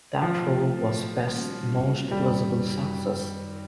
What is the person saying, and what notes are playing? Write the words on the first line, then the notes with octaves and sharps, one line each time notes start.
That role was Best's most visible success.
B2 F3 F#3 A3
D#3 G3 A#3 C#4 F#4
F#2 D#3 F#3 G3